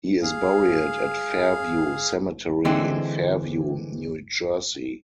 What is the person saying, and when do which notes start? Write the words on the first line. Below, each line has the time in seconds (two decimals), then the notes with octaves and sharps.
He is buried at Fairview Cemetery in Fairview, New Jersey.
0.22 G#4 F5
2.65 D3 E3 G#3 C4